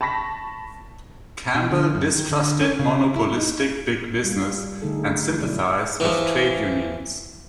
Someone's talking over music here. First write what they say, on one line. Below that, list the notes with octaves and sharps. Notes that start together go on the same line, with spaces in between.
Campbell distrusted monopolistic big business and sympathized with trade unions.
A5 B5 C#6 A#6 B6
B2
D3
F#2
D#3
D3
C#4
C#3
E4
D#4
G3 F4
D3 D#3 A3 D#4 G#4 A4
B2 F#3 E4 D5
E3 F3